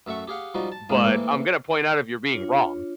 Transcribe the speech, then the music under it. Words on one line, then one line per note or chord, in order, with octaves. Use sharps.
but I'm gonna point out if you're being wrong,"
F#2 A3 E5 F#5 C#6
G4 G#4 F5 F#5
F3 G3 D#4 F#4
A5
F2 G#2 G#3 A#3
A2 E3 A#3 C4
D4 F4 C#5